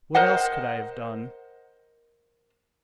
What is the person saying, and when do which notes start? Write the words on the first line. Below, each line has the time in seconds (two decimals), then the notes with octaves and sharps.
What else could I have done?
0.15 A#4 C5 D#5 F#5